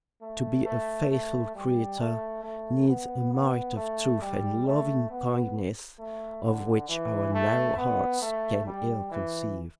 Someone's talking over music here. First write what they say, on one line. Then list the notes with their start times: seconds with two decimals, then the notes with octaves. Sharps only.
To be a faithful creator needs a might of truth and loving-kindness of which our narrow hearts can ill conceive.
0.21 A3
0.66 A3
1.10 A3
1.55 G3
2.00 A3
2.44 A3
2.88 B3
3.32 B3
3.77 A3
4.22 G3
4.66 A3
5.11 B3
5.99 A3
6.44 D3
6.89 E3
7.34 A3
7.78 B3
8.22 A3
8.67 G3
9.11 E3